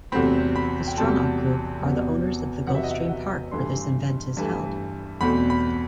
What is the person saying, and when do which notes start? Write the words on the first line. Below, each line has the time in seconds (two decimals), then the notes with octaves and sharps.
The Stronach Group are the owners of Gulfstream Park where this event is held.
0.12 E2 C3 F#3 A3 C4 B5
0.56 B5
0.88 G5
0.97 E2 C3 F#3 A3 C4 A5
1.82 E2 C3 F#3 B3
2.67 E2 C3 F#3 B3 F#5
2.75 E5
2.84 D#5
2.91 E5
3.09 F#5
3.51 G2 E3 A3 C6
4.37 G2 E3 A3
5.21 E2 B2 A3 C4 B5
5.50 B5